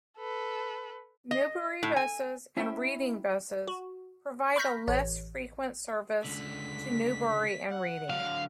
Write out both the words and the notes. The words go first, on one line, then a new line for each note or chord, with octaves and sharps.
Newbury Buses and Reading Buses provide a less frequent service to Newbury and Reading.
A4 B4
D#5
A2
G#5
C#4 E4 C5 E5 G5
F#4
B5 C#6 F6 G6 A#6 B6
A1 C#5
C#2 D3 B6
F#5
D3 F#3 F5